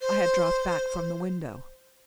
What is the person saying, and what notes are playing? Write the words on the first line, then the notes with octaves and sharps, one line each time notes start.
I had dropped back from the window.
C5